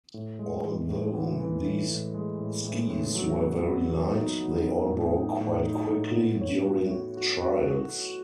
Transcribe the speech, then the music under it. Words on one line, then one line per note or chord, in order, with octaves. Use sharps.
Although these skis were very light, they all broke quite quickly during trials.
A2
G#3
E3
A2
E3
E3
A2
A2
G#3
A2
A2
A2
F#3
B3
B3
F#3
D#4
F#3
B3
A2
D#4
A2
D#4
A2
B3
C#5
F#4
F#4
F#4
F#4